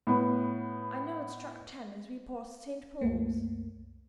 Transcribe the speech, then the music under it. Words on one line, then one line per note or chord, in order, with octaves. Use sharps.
"I know it struck ten as we passed St. Paul's."
A2 B3
C2 F#2 A3 A#3